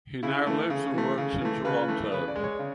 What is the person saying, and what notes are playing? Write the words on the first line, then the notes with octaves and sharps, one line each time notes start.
He now lives and works in Toronto.
C#3 E4
E3 A3
C#3
E3 A3
C#3
E3 A3
C#3 B4
E3 A3
C#3 B4
D5
G#3
C#5
C#3